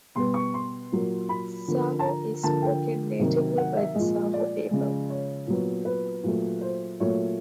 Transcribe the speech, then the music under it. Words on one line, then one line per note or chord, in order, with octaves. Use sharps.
Saho is spoken natively by the Saho people.
B2 G3 B3 C6
C#6
C6
A#2 F#3 A#3
B5
D3 F3 A#3
A5
A#5
D3 F3 A#3 A5
G5
C3 D#3 F#3 A#3
F#5
E5
A#2 F3 G#3 D#5
D5
C#3 F3 G#3
C#5
A#2 F#3 B3
B4
A#2 F#3 A3
C5
A#2 F#3 A3 C#5